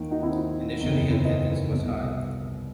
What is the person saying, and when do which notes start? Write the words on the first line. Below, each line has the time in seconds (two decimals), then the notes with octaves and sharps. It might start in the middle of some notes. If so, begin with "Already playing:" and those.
Initially, attendance was high.
Already playing: D#2 D#3
0.11 D#4 F#4
0.23 C4 E4
0.80 F#1 E2 D#3 D#4
0.94 D#4
1.10 C4 E4
1.25 B4 D#5
1.70 C2 B2